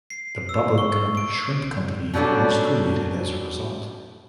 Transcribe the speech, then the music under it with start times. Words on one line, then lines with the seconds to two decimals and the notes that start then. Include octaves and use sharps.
The Bubba Gump Shrimp Company was created as a result.
0.10 C7
0.49 E6
0.78 C#6
1.17 D7
2.14 B2 F#3 G3 C#4 D4 A4